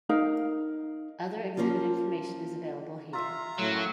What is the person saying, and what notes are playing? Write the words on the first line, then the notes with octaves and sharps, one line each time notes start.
Other exhibit information is available here.
D#4 A#4 F5
F3 A#3 C#4 F4
F4 E5 A#5
F#2 A2 F#3